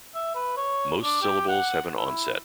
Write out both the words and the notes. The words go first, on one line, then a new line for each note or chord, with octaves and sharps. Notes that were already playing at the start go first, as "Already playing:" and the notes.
Most syllables have an onset.
E5
B4
C#5
D4
G4
F#5
E4